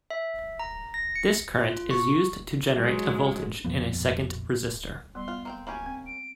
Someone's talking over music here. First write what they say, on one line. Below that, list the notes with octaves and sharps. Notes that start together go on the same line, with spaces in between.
This current is used to generate a voltage in a second resistor.
E5
A#5
A#6
C#7
F4
C#6
F#3 G#3
A#1 F2 F3 B3
G3 B3 C6
B3 F4
A#3 C4 G5
A#3 C#4 G4 G#5 B5
C4
D7